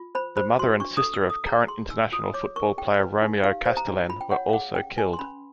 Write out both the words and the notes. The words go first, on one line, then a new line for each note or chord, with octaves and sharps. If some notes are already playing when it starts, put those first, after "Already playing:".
The mother and sister of current international football player Romeo Castelen were also killed.
Already playing: F4
C5 B5
C5 B5
F#4 C6
D4 C#6
D#6
A4
E6
A4
D#6
G#4 A#5
G#4 C6
D#4 E6
F4 D#6
C#5 D6
A#4 C#6
G#4 G5
B4
D#4
G4 F5
C5
A#5
D4
F4 B5
G5
C#5 F#5
F5
G#4 F#5
C#4 G5
B4 G#5
C6
C#4 B5